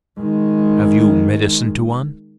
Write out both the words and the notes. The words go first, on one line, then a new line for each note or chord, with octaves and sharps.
"Have you medicine, Tuan?"
D#3 G#3